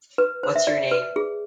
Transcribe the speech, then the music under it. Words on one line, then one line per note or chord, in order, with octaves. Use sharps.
What's Your Name?
B4
C5
E5
D5
B4
G#4